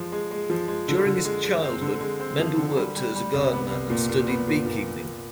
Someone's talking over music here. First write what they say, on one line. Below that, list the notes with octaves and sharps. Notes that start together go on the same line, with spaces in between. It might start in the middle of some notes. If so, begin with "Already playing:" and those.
During his childhood, Mendel worked as a gardener and studied beekeeping.
Already playing: F3 G#3
G#3
G#3
F3
G#3
D3
D3
G#3
G#3
C4
D3
G#3
C4
F3
D3
G3
G3
G3
C2
B3
C2
A#2
A#2
B3
A#2
A#2